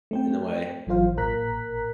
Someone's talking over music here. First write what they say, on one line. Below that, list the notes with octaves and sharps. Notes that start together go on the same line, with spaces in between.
in a way.
A3 C4 G5
G#1 E3 F#3 F4 C5 F5
A1 A#2 A#4 A#5 F#6 B6